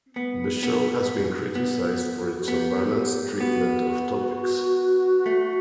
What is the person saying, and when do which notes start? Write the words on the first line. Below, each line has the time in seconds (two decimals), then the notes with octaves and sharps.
The show has been criticized for its unbalanced treatment of topics.
0.16 B3
0.63 B3
1.55 B3
2.38 F#4
2.48 B3 G4
2.94 G4
3.40 B3 F#4
5.26 A3